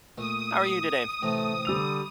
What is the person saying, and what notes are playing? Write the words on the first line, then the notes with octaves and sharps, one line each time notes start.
How are you today?
A#2 A3 D#6
A1 C3 A3 A#5
D3 G3 E6 F7